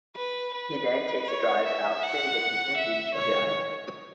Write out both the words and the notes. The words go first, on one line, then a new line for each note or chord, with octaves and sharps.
He then takes a drive out to the eastern beach of the island.
B4
B4
C#5
E5
F#5
E5
C#5